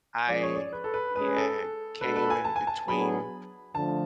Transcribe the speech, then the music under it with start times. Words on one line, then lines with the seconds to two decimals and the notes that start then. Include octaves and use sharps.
I, yeah, came in between.
0.28 F3 G#3 C#4 G#4 D5
0.43 C#5
0.55 D5
0.73 B4
0.84 A4
0.94 B4
1.16 G#3 C#4 G#4 B4
1.37 A4
2.01 G#3 D4 F#4 A4 B4
2.16 B4
2.30 G#5
2.45 A5
2.56 G#5
2.67 A5
2.88 F#3 B3 D4 G#4 B5
3.75 D3 F3 A3 A5